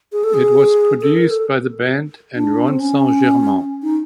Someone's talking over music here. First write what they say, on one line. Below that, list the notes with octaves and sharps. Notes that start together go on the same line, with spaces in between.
It was produced by the band and Ron Saint Germain.
G#4
A4
G#4
A4
A#4
A4
D4
C4
C#4
D#4